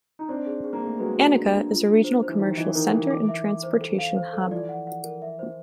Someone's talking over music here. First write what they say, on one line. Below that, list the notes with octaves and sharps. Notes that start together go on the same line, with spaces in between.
Annaka is a regional commercial center and transportation hub.
D#4
C4 D4 D5
G#4
G#4
A#3
A3 G#4
F#3 G#3 B4
F#4
D4
D4
F4
D4
C5
C5
E3
D#3 G4
E3 D#5
D#3 A#4
E3 A#4
E3 D6
E5
D6
C5
A4
F5
C5
A4
F3
E3 D5
F#5
F#5
A#4
E5
C5